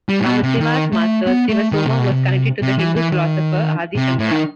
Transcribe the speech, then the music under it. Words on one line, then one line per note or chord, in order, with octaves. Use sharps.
Vamasiva's master, Sivasoma, was connected to the Hindu philosopher Adi Shankara.
G3
A2
B2
C3
D#3
A3
B3
A3
D#3
C3
B2
C3
C3
E3
E3
D#3
C3
A2
D#3